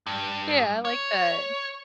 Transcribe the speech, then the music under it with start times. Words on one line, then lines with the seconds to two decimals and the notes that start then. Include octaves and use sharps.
Yeah, I like that.
0.07 G2
0.85 C#5